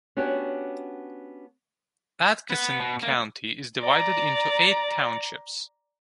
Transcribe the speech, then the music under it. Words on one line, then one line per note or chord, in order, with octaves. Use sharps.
Atchison County is divided into eight townships.
B3 C#4 D4 F#4 G4 C#5
B3
B2
A#3
D5 A#5